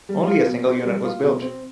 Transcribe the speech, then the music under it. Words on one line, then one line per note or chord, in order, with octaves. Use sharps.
Only a single unit was built.
G3
F4
B2
C4
G3
F4
B2
C4